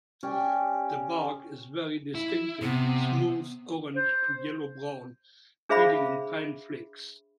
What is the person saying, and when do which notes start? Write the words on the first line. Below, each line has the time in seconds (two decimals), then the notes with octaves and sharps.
The bark is very distinctive, smooth orange to yellow-brown, peeling in fine flakes.
0.23 C#4 G4 D5
2.15 E4
2.62 C3 B3
3.96 C5
5.69 D4 G#4 C5 E5 F5 B5